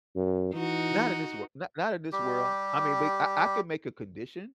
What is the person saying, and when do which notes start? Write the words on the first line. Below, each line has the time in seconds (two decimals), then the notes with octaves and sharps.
Not in this wor not in this world. I mean, but I I can make a condition
0.16 F#2
0.54 E3 D#4 F#4
2.12 G3 G4